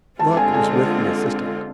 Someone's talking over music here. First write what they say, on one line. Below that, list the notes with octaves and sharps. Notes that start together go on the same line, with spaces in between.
Luck was with the assistant.
D3 G#3 C4 F4 A5
G#5
G#5